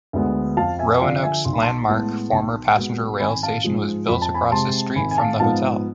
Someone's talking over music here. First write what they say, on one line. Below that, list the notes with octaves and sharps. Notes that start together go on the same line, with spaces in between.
Roanoke's landmark former passenger rail station was built across the street from the hotel.
D2 D3 G#3 B3
F2 F5 A5
E5 G#5
G#5
D3 F3 D5 F5
E5 G#5
B1 C6
B5
A5 C6
A2 G#3 B3
B1
B2 G#3 B3
G#1 G#5 B5
F5 A5
G#2 F3 G#3
F2 B5
A5
G#5 B5
C3 G#3 A5 C6
G#1 G#5 B5
G#5
F5 A5
G#2 F3 B3 F5 A5